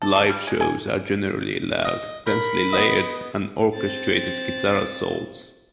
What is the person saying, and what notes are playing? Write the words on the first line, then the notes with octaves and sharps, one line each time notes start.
Live shows are generally loud, densely layered and orchestrated guitar assaults.
A4
A4
G3
G#3
G#5
D#5
A#4 B5
B3 D#5
C4 A6